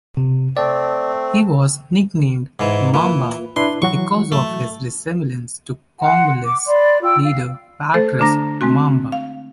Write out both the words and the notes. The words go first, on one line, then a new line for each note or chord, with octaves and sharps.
He was nicknamed "Lumumba", because of his resemblance to Congolese leader Patrice Lumumba.
C3
A3 C4 D5
G#2 E3
E3 A#3 F4 B4
D4 E4 B4 C6
E3 F#3 F#4 C#6
A3
F#5 C6
D6
D5 B5 C6
F4 G5 E6
F5
A3 A4 C5
D3 A3 D4 A#5 A#6
G#3 A3 C4 F#4
F5